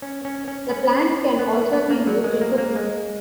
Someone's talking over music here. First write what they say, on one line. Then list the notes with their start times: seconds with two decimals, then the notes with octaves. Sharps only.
The plant can also be used in cooking.
0.02 C#4
0.25 C#4
0.48 C#4
0.70 C#4
1.39 B3
1.56 B3
1.73 B3
1.90 A#3
2.07 F#3
2.24 G#3
2.41 A#3
2.58 A#3
2.76 G#3